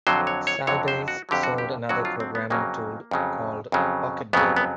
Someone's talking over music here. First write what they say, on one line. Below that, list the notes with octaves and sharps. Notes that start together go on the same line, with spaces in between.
Sybase sold another programming tool called PocketBuilder.
F2 D3 F#3 C5
C#5
C#5
F2 D3 F#3 C#5
C5
F#4
F2 D3 F#3 G4
F#4
G4
F2 D3 F#3 F#4
F4
C4
B3
F2 C#3 F#3 A#3
F2 C#3 F#3
F2 C#3 F#3
F2 C#3 F#3 B3
B3